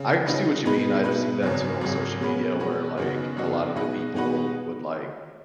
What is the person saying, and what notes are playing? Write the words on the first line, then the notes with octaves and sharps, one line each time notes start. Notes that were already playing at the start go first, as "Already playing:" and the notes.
I see what you mean, I've seen that too on social media where, like, a lotta the people would, like,
Already playing: C#3
C#3 F#3 D#4 B4
B2 G#3 D#4 B4
B2 G#3 D#4 B4
G#1 F#2 C#3 F#3
G#1 F#2 C#3 F#3
B2 G#3 C#4 F#4 B4
B2 G#3 C#4 F#4 B4
F#2 C#3 B3 D#4 F#4
F#2 C#3 B3 D#4 F#4
B2 G#3 D#4 F#4 B4
B2 G#3 D#4 F#4 B4